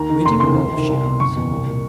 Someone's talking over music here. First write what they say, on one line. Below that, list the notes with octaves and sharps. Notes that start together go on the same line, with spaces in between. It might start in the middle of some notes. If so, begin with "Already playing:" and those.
"Where do you live?" she asked.
Already playing: D#2 A#5
D#3
F1 C6
D#2 C#3 E3 C6
C#2
C3 D#3
C2
B2
F#1 C#6
E2 B2
C2
A#2